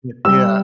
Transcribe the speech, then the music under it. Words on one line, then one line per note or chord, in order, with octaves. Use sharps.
Y yeah,
G3 E6